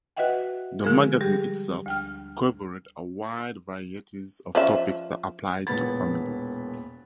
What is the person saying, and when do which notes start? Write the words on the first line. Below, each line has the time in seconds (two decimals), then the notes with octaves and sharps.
The magazine itself covered a wide varieties of topics that applied to families.
0.17 F#4 B4 D#5 E5 F#5 G5
0.84 D3 F3 G#3 G#4 A#4
1.21 G3 G4 G#4
1.86 D2 G5 F6
4.55 F3 C#4 E5
5.67 E1 A#2 B3 B5 A6